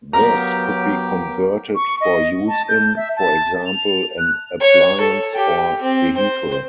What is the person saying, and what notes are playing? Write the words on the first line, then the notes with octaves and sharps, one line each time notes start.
This could be converted for use in, for example, an appliance or vehicle.
F#3 B3 G4 A#4 F5 A#5
C#6
D#5
A5
G6
E5
A5
F7
F#6
C#5
A4
G4
C4
C5